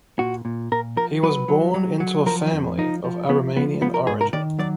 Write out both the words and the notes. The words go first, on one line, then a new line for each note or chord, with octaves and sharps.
He was born into a family of Aromanian origin.
A#2 F#4
A#2
A#2 A#4
F3 A#4
F#3 B4
F#3
F#3
F#3
F3 A#4
F2
F3 D#4
F3
F3 B3
F3 B3
F3 B3
A#4
G#2 G#4
A#4
D#3 D5
F#3 D5